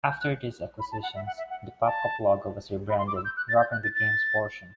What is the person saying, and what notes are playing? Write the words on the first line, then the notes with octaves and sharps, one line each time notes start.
After these acquisitions, the PopCap logo was rebranded, dropping the "Games" portion.
G6
F#6
B5
A5
F#5
E5
F#5
E5
F#5
A5
B5
C6
D6
E6
G6
F#6
A6
G6
F#6
A6
A6